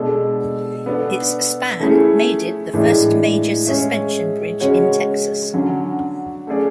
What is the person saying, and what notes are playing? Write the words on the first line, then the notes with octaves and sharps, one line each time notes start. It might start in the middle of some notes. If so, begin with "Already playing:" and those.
Its span made it the first major suspension bridge in Texas.
Already playing: B2 G#3 D4 A4
B3 D4 A4
A3 C#4 E4 G#4
A2 E3 G#3 D4
G#3 C#4 G#4 C#5 E5
C#3 G#3 C#4 F#4 C#5
D3 F#3 C#4
A3 C#4 G#4 D5